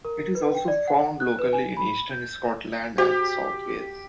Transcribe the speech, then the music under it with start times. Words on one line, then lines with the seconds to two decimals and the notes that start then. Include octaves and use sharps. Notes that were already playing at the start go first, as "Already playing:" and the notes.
It is also found locally in eastern Scotland and south Wales.
0.05 A#4
0.35 B4
0.55 G5
0.68 D5
0.88 F#5
1.20 F#6
1.39 B4
1.53 G#5
1.77 B5
2.11 G6
2.98 F#4 G4 C5